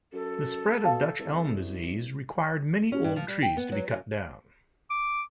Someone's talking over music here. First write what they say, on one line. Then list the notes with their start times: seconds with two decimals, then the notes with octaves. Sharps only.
The spread of Dutch elm disease required many old trees to be cut down.
0.13 F#2 A4
0.84 B2 F5 A5
1.20 C2
2.92 C#4
3.04 G2
3.16 F3
3.28 G3
3.42 G5
3.57 B3
3.72 F#3
3.90 F#2
4.90 D6